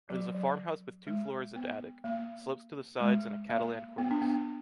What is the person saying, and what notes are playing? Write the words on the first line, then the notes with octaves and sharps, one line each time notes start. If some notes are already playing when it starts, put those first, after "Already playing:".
It is a farmhouse with two floors and attic, slopes to the sides and a Catalan cornice.
F#3
F3
F#3
G#3
B3
A#3
G#3
A#3
B3
D4
B3